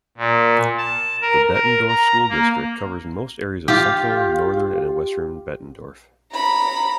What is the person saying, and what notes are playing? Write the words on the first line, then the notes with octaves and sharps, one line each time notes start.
The Bettendorf School District covers most areas of central, northern and western Bettendorf.
A#2
A5
A#4
A#4
A#5
A#3
F4 G4
A#5 B5